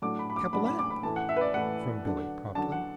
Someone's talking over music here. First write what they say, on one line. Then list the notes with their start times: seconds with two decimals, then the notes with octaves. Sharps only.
"Capellette," from Billie promptly.
0.02 A2 F#3 A3 D4 D6
0.19 B5
0.30 B5
0.36 D6
0.53 A2 F#3 A3 D4 B5
0.66 B5
0.79 D6
0.90 B5
1.03 A2 E3 A3 A5
1.16 F#5
1.29 E5
1.36 B4
1.41 D5
1.54 A2 E3 A3 F#5
2.04 D3 F#3 D4
2.55 D3 F#3 D4 A5
2.72 F#5